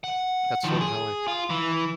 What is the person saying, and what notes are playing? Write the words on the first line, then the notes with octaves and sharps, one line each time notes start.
That's sort of how I
F#5
D#3 F3
G#4
F4
E3